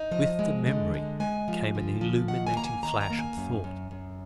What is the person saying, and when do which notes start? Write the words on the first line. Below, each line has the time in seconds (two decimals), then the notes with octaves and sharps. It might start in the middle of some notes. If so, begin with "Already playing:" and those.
And with the memory, came an illuminating flash of thought.
Already playing: D#4
0.11 F3 D#5
0.39 G#3
0.66 D3
0.94 G#3
1.20 G#3 G#5
1.48 F3
1.75 D3
2.01 F3
2.28 D#3 F#5
2.47 G#5
2.55 A#3 A#5
2.65 G#5
2.83 D#3 A#5
3.01 A#5
3.10 A#3
3.19 G#5
3.37 F#2
3.64 F#2
3.91 F#2